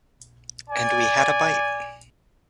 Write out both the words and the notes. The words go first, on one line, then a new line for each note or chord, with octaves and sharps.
And we had a bite.
D5 G#5